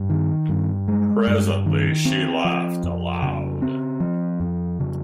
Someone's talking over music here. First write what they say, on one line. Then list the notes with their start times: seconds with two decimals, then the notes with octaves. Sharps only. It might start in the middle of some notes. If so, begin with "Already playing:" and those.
Presently she laughed aloud.
Already playing: G2
0.10 D#3
0.49 G2
0.88 G#3
1.27 G2
1.66 D#3
2.05 C4
2.44 F3
2.84 F2
3.23 C#3
3.62 C4
4.00 F3
4.40 F2
4.80 C#3